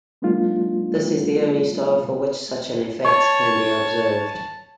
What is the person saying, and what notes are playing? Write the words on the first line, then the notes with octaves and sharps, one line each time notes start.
This is the only star for which such an effect can be observed.
F#3 G#3 A#3 D4 D#4 F4
C#5 A5 C#6